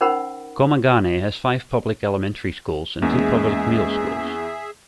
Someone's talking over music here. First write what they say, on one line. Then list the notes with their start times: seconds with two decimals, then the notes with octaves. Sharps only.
Komagane has five public elementary schools and two public middle schools.
0.01 C#4 D#4 A#4 C5 F#5 B5
3.02 E2 G#3 A#3 C#4 G#4 E5